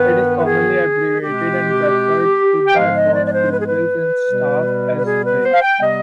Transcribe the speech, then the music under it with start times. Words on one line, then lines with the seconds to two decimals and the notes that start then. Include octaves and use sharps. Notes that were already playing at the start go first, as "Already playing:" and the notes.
It is commonly abbreviated and referred to by both pupils and staff as 'Rye'.
Already playing: G2 D#3 B3 B4
0.38 B4
0.46 G#4
1.22 B2 G#3 C4 G4
2.67 G5
2.75 G#2 F3 G#3 B3 F5
2.94 D#5
3.14 D5
3.26 D5
3.32 C5
3.51 B4
3.60 G#4
3.67 B4
4.28 B2 G3 B3
4.97 B4
5.05 G#4
5.24 B4
5.43 C5
5.53 F5
5.62 G5
5.81 C3 G3 B3 D#5